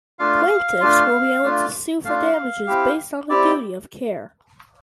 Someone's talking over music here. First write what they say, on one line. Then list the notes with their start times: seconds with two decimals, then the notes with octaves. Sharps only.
Plaintiffs will be able to sue for damages based on the duty of care.
0.19 A3 D4 F4 F5
0.81 A3 D4 F4
1.43 A3 D4 F4
2.05 A3 D4 F4 F5
2.67 C4 E4 G4
3.29 C4 E4 G4 D5